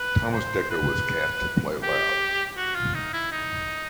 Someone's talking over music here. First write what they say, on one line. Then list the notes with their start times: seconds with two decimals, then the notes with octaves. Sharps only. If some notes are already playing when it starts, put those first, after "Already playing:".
Thomas Dekker was cast to play Loud.
Already playing: B4
0.33 C5
0.70 B4
1.83 G4
2.57 F#4
2.75 F4
2.94 D#4
3.13 E4
3.32 D#4